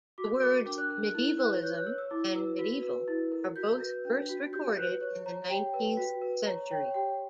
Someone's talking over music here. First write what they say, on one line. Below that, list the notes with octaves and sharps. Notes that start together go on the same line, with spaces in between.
The words "medievalism" and "Medieval" are both first recorded in the nineteenth century.
F#4 D6
A#4 D6
D4 D6
F#6
A#4 F#6
F#6
E4 F#6
B4 F#6
C#5 G6
F#6
C#5 E6
E6
E4 D6
B4 E6
F#4
B4
E4
A#4
F#4 G6
B4
D4
F#4
G4 G6
B4 F#6
C#5
C#5 A#5
G4 G5
B4
F#4
B4
C#5 A#5
C#5 G5
G4 G5